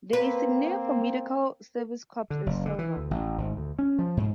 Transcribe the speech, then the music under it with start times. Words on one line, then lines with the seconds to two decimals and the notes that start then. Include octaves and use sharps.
The insignia for Medical Service Corps is silver.
0.13 A#3 C4 B4
2.30 D3
2.46 F#1
2.66 D3
2.79 E3
2.97 D2
3.11 A1
3.38 G#1
3.57 D2
3.79 C#4
3.99 F3
4.17 G#2